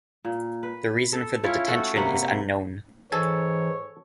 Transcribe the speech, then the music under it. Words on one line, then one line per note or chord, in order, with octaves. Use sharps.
The reason for the detention is unknown.
A#2
B4
A4
C#4 E4 F4 C#5
A3 F#4 A4
C3 A#3 B4 F#5
G#2 E3 A4 C#5 G#5